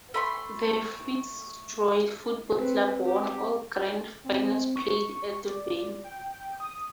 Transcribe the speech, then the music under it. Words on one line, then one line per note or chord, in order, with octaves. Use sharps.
The Fitzroy Football Club won all grand finals played at the venue.
A3 B5 C6
C4 B4
G4
C4
C#6
D5
G5
G5
D#6